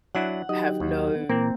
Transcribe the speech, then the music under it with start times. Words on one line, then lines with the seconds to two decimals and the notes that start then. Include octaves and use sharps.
have no
0.15 F#3 D4 E4 F#5
0.49 F#3 D#4 G4 D#5
0.80 D#2
1.16 D#3 B3
1.30 A#2 E3 A#3 C4